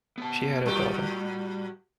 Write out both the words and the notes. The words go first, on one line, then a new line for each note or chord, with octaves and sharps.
She had a daughter.
B3 A5
A2 G3 F#4 G4